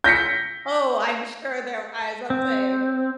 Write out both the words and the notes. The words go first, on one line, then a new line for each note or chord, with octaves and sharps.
Oh, I'm sure there I was about to say.
G6 A#6 B6 C#7
C4